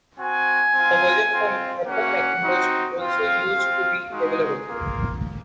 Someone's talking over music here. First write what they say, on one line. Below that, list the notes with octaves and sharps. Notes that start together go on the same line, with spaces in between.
A version for Apple Macintosh also used to be available.
C4 F#4 G#5
C4 F4
C4 F4
A#3 C#4 F#4 F#5
C4 D#4 F#4
C4 F4 F5
C4 F4
G#3 D#4 F#4 G#4
A#3 F4